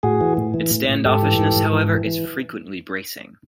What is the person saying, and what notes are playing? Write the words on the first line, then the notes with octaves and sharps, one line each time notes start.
Its stand-offishness, however, is frequently bracing.
A2 F#4 G#4
E3
A2
E3
A2
A2
G#2 G4 A4
E3
G#2
G#2
E3
E3
E3